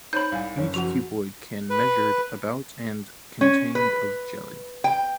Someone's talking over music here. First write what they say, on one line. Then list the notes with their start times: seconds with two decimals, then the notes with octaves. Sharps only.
Each cuboid can measured about and contained of jelly.
0.13 D#4 C5 C#5 B5 G6
0.32 C2 F5 G#5
0.57 F#1 C#4
0.74 F3 F#4 F#5 F7
1.70 B4
3.41 C#4
3.75 B4
4.84 G5